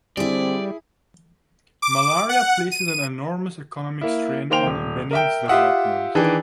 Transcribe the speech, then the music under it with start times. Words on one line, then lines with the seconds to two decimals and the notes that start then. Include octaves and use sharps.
Malaria places an enormous economic strain on Benin’s development.
0.17 D3 G3 C4 E4 G#4 D5
1.82 D6
2.29 F#5
2.72 D#7
4.01 A#3 E4
4.50 D#3 A#3 C5 G5 F7
4.67 D#1
5.11 A#4 E5 G5
5.48 F4 G4 E5 F#5 D#6 E6
6.15 D#3 E3 D4 G#4 G5